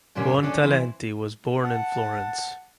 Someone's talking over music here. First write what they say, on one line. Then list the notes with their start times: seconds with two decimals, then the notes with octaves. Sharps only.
Buontalenti was born in Florence.
0.15 F#2 A#2 D3 G3 A#3 C#4
0.43 C#4 D4 A4
0.63 E3 C4 E4
1.64 F#5 A5